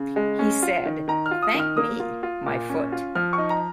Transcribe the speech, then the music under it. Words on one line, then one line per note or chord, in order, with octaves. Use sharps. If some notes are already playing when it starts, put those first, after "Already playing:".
He said, 'Thank me, my foot.
Already playing: C#3
G#3
C#4
F4
D#3
D#3 A#5
F6
F4
D#6
D#3
F6
A#3 D#6
F4
F4
A#2
C#4
F4
F3 F6
D#4 C#6
A#5